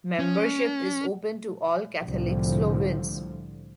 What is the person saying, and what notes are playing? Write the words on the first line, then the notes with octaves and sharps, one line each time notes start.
Membership is open to all Catholic Slovenes.
C#4
C2 A2 D3 F3